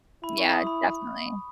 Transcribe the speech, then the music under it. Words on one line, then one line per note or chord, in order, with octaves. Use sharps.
Yeah, definitely.
E4 B5
C#6
D#6
B5